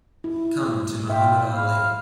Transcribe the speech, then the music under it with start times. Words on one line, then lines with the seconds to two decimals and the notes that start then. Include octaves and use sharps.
Come to Muhammad Ali.
0.24 E4
1.10 F4 E5 G5
1.52 E4 F5